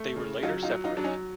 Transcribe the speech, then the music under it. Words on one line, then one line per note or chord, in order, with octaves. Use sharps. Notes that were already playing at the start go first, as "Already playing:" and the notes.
They were later separated.
Already playing: A3
C#3
F#3 D#4 F4
D#4 F4
F#3
D#4 F4
F#3 D4
C#4 D#4